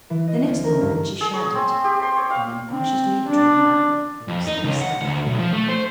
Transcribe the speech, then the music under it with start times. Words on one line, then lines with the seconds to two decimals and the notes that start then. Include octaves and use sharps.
The next moment she shuddered and unconsciously drew Margaret close to her side.
0.10 E3
0.28 D#5
0.43 D2
0.64 A#4
0.81 G2
1.21 G#4
1.33 C#5
1.55 C4
1.84 G4
2.02 C6
2.16 C#5
2.30 F5
2.70 C4
3.28 D4
4.28 F2
4.47 D#4
4.63 C#2
4.81 F#5
5.01 D2
5.26 B1
5.39 F3
5.53 A3
5.68 C5